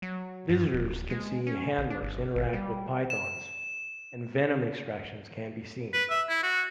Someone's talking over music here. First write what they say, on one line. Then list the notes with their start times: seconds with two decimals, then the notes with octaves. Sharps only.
Visitors can see handlers interact with pythons, and venom extractions can be seen.
0.02 F#3
0.49 G2
0.74 D1
1.10 G#3
1.47 C#4
1.78 A1
1.90 D4
2.03 G1
2.36 G#1
2.53 G3
3.10 E7
5.93 B4
6.10 E5
6.29 E4
6.43 F#4